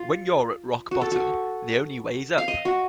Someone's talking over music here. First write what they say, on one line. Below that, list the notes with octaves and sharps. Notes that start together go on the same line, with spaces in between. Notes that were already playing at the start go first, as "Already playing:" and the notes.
When you're at rock bottom, the only way is up.
Already playing: F4
F#4
A4
F#4
F5
D#5
F#4